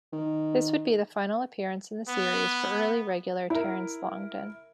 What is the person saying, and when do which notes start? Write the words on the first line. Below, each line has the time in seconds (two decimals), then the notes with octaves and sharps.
This would be the final appearance in the series for early regular Terence Longdon.
0.13 D#3
2.08 B3
3.50 E4 A#4